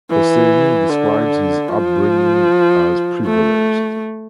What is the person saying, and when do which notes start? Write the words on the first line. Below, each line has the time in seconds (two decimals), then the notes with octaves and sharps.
Hosseini describes his upbringing as privileged.
0.11 E3
0.89 D3
1.68 F3
3.25 A3